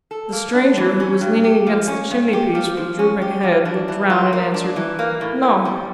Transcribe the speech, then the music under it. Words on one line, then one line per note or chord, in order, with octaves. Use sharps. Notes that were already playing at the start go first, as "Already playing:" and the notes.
The stranger, who was leaning against the chimneypiece with drooping head, looked round and answered, 'No.
A4
A#3
D4
E3
C#4
G2
G4
F3
C#4
G2
G4
F3
F3
C#4
G4
F3
D4
E3
F4
A#3
D4
E3
A#3
A2
C#4
G3